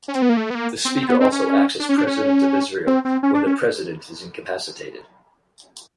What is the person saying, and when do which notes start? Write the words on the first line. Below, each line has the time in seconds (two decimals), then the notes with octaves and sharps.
The Speaker also acts as President of Israel when the President is incapacitated.
0.08 C#4
0.15 C4
0.22 B3
0.29 A#3
0.37 A3
0.50 B3
0.55 A#3
0.85 C4
0.97 C4
1.08 B3
1.20 C4
1.32 C#4
1.80 D4
1.89 C#4
1.98 D4
2.07 C#4
2.87 C4
3.05 C4
3.23 C#4
3.34 D4
3.47 C#4